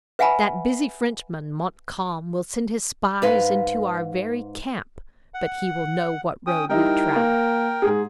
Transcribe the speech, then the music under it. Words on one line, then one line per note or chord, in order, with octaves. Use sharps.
"That busy Frenchman, Montcalm, will send his spies into our very camp, but he will know what road we travel!"
B4 E5 F#5 G#5 A5 B5
G#2 B4 F5
F#5
C#4 G5 D#6
G3 D#4 E4 A#4 G5
A#3
G#2 G#4